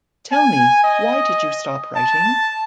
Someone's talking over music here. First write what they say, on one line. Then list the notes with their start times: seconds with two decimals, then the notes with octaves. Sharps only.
Tell me: why did you stop writing?
0.32 G#5
0.84 D#5
1.96 A5